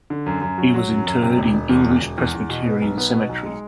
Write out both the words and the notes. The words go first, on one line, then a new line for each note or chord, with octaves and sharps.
He was interred in English Presbyterian Cemetery.
D3
F#2
F#2
F#3
F#3
F#2
F#2
C3
E1
E1
E2
E1
E1
E2
E2
B2
B3
B1
B3
B2
B1
G#3